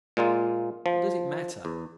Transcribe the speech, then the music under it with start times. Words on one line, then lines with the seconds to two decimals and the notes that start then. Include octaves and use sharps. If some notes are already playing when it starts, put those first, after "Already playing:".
What does it matter?
0.17 A#2 G#3 A#3 F4
0.86 F3
1.65 E2